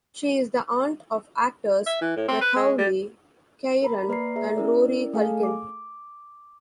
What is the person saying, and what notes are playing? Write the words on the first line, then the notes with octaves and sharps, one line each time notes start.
She is the aunt of actors Macaulay, Kieran, and Rory Culkin.
E5
E3
A2
C4
B4
G#3
G3
A#4 A#5 B5
A#3 B4 D5 A#5 C7
G#4 E5 A#5
C#4 E4 A#4 D5
A3 G#4 A4 F5 G#5
D6